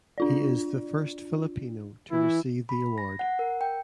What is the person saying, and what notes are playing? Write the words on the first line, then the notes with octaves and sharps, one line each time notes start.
He is the first Filipino to receive the award.
D4 F4 D5
E3 E4
B5
A#6
F#5
A#4
G5